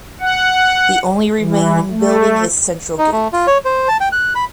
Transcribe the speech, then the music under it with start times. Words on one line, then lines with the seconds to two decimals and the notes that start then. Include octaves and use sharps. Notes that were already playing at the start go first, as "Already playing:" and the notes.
The only remaining building is central gate.
0.20 F#5
1.40 E3
1.91 A3
2.98 D#4
3.12 A3
3.33 F4
3.47 C#5
3.65 C5
3.88 A5
4.01 G5
4.12 F#6
4.35 B5